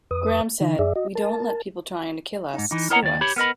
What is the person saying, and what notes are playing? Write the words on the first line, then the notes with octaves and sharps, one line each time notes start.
Graham said, We don't let people trying to kill us sue us.
F2 B4 D#6
D3 E3 D#4
F#2 G#4 D5 E5
F#4 D#5
A#4 A5
G#2 D#4
E3 D#4
E4 A#4 C#5 D#5 F#5 A#5
D#2 D5
G4 C#5 B5
B3 A#4 D#5 B5